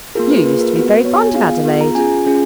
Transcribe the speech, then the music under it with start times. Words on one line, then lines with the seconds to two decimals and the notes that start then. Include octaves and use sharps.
"You used to be very fond of Adelaide."
0.15 A#3 F4 G#4 A#4
0.30 B4
0.45 A#3 F4 G#4 B4
0.61 A#4
0.76 B3 F#4 B4
1.05 B3 F#4 C#5
1.20 G#5
1.35 B3 F4 G#4 F5
1.65 B3 F4 G#4
1.81 A#5
1.95 C#4 F4 G#4 G#5
2.26 C#4 F4 G#4